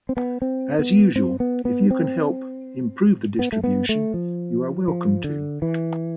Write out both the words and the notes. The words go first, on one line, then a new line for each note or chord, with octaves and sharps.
As usual, if you can help improve the distribution, you are welcome to.
C4
B3
C4
B3
C4
B3
B3
C4
B3
A3
B3
A3
F3
F3
D3
E3